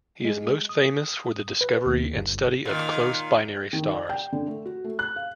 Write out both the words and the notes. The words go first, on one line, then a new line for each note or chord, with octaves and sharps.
He is most famous for the discovery and study of close binary stars.
G#3
D#6
B4
D#2
G1
A#2 D#3
D#3
D5
G5
D3
A3
F#4
A3
F#6
F5